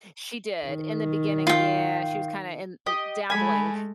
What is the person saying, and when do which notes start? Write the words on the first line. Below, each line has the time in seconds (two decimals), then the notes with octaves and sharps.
She did, in the beginning, yeah, she was kinda in, uh dabbling
0.67 D#3
1.47 F4 G5
2.86 G4 D#5
3.30 G#3 A3 G#5 B5